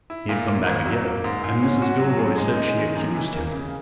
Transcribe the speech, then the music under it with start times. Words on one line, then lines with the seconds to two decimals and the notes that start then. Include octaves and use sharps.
He had come back again, and Mrs. Gilroy said she accused him.
0.10 E4
0.29 A#2
0.48 A#3
0.67 G#1
0.86 F#3
1.05 A#3
1.24 G#2
1.44 G#2
1.63 C#4
1.82 F#4
2.00 F#3
2.19 F#2
2.38 G#3
2.57 D#4
2.77 D#3
2.95 F#2
3.15 E3
3.34 A#3
3.52 C#3